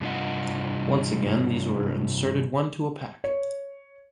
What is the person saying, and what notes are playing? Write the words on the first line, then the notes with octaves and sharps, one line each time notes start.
Once again these were inserted one-to-a-pack.
G2 C3 D4 F4 D#5 F#5
C#5